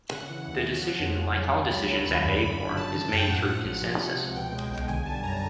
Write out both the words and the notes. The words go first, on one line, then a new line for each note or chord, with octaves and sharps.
The decision, like all decisions at Acorn, is made through consensus.
C#3 F#5
E3
D#2
C#3
F3
F2
C#3
F#3
C#2
C#3 B5
F#3
D#2
F#2
D3
G1
C#3 A5
E3
F#2 G5
A2 F#5
F3
A1
C3
F3
C#2
B2 G5
G#3
B1
D3 G#5
G3 A5
F#2 A#5